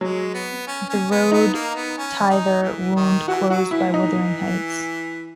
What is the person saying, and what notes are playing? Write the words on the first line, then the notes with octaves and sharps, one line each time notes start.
The road thither wound close by Wuthering Heights.
F#3 G#3
B3
C#4
C#4
B3
B3 D#4
A#3
B3
C#4
D#4
E3
D#3
E3 F#4
F#3 F#4
E3 E4
D#4